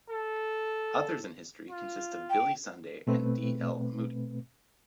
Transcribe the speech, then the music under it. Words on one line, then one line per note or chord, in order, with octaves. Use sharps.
Others in history consist of Billy Sunday and D. L. Moody.
A4
F4
G5
B2 A3 C4 B4